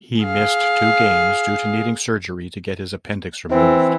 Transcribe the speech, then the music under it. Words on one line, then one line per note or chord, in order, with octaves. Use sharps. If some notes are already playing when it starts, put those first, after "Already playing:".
He missed two games due to needing surgery to get his appendix removed.
G#4 F5
E3 C4